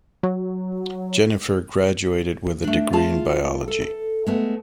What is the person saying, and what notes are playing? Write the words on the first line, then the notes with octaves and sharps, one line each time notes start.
Jennifer graduated with a degree in biology.
F#3
A3 D4
A3 F4 G#4 A5
A4
A4
G#3 A3 B3